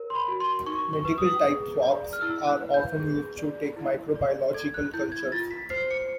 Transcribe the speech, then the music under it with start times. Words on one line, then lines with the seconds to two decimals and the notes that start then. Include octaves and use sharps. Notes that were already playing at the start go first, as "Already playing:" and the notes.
Medical-type swabs are often used to take microbiological cultures.
Already playing: A#4 C#5
0.10 C6
0.15 B5
0.28 F#4
0.40 C6
0.66 D#4 C#6
0.93 C#6
1.05 B4
1.18 D#6
1.44 G#4
1.82 D5
2.13 F6
2.21 E4 E6
2.47 F#6
2.61 B4
2.74 G6
3.00 G#4
3.38 D5
3.76 E4
4.16 D5
4.54 A4 G#6
4.74 F#6
4.94 E4 G6
5.12 G#6
5.32 F4 A6
5.51 B6
5.70 C5 C7
5.90 C#7